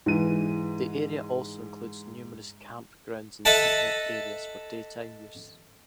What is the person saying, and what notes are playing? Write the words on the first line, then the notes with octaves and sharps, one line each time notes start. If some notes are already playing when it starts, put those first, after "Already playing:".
The area also includes numerous campgrounds and picnic areas for daytime use.
G#2 E3 D#7
A4 D#5 E5 F#5 A5